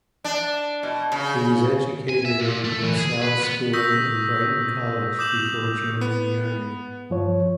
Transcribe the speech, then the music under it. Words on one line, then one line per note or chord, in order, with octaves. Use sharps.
He was educated at Rossall School and Brighton College before joining the army.
D4
B2
C#3
G#5
E5
A#2
A3
E3
G#4
B4
B3
C#6 D#6 E6 G6 A#6 B6
D6 D#6 G6 E7 F#7
B3
G2 F3 C#5